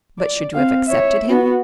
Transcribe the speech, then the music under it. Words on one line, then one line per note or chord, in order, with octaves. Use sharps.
"But should you have accepted him?"
D5
C4 F5
C#5 E5
B3 F#4